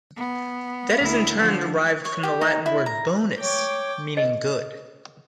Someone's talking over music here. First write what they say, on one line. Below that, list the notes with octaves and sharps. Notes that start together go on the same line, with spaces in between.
That is in turn derived from the Latin word "bonus" meaning good.
B3
D2 E4
D3 F3
C#5
G4
D#4
E4
A#5
C#5 G5 D6
D#5